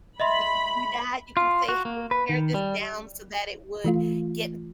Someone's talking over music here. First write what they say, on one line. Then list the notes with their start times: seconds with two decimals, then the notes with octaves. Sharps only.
You could do that, you can say, "Hey, pair this down so that it would get
0.20 D#5 E5 B5 C6
1.37 F4
1.69 F#4
1.85 A#3
2.11 B4
2.29 D#3
2.54 G3
3.84 E3 A3 F4